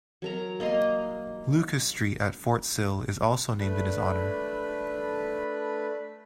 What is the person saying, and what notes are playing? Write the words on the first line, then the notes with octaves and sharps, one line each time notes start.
Lucas Street at Fort Sill is also named in his honor.
F#3 A#4 A#5
A#3 D#5 A#5 C6
A3 D4 B4 B5